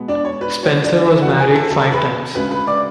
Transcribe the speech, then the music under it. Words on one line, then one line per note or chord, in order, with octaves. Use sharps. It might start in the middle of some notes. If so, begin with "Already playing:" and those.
Spencer was married five times.
Already playing: B2 G#3 B3
D4 D5
C#5
B4
C#5
D4 D5
E4 E5
F#4 F#5
G#4 G#5
A4 A5
A4 A5
B4 B5
D2 C#3 G#3 B4 B5
B4 B5
D5 D6